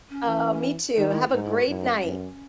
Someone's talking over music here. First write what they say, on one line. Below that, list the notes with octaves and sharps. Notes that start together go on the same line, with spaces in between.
Oh, me too. Have a great night.
C#4
E3
D#3 D#4
E4
G#4
E4
G#2 D#4
E4
F#4
F#2 E4
D#4
C#4
F#2